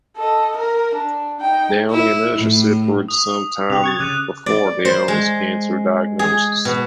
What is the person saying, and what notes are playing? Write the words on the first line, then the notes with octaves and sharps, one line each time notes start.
Downie and Usher separated sometime before Downie's cancer diagnosis.
A4 D#5
A#4 A#5
D4
D#4 G5
E4
A2
D#6
C3 G4 F#6 F7
C#6 G#6 A6
C#3 D6 F#6 D#7
D5
C5
G#3
G#4
B2